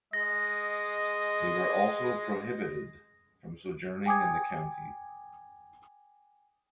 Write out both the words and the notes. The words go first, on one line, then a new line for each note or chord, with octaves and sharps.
They were also prohibited from sojourning in the county.
G#3 D#5 A#6
G5 G#5 D6 D#6 G#6